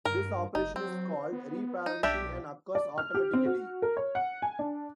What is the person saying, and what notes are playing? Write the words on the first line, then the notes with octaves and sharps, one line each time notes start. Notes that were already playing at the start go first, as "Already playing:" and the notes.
This operation is called "re-parenting" and occurs automatically.
G2 A#4
F#1 D#4
F#3 C4
B3
D#4
B1 D4 G4 E5
D5
F6
G4
C4
F#4
A#4
C#5
F#5
G#5
D4